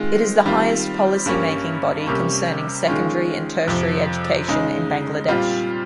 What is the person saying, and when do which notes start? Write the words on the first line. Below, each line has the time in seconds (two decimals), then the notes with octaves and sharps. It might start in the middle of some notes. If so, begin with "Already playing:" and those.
It is the highest policy making body concerning Secondary and Tertiary education in Bangladesh.
Already playing: D#3 G#3 C4 F4
0.45 D#3 G3 C4 F4
1.26 G2 G3 A#3 C#4
2.06 C3 G3 A#3 C#4
2.87 D#3 G#3 C#4 F4
3.67 F2 C3 F3
4.48 C#3 G#3 D#4
5.28 A#2 G3 C4 F4